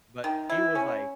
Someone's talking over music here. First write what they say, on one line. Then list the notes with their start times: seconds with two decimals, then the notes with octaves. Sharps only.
but she was, like,
0.24 D#3
0.50 E4
0.75 C#4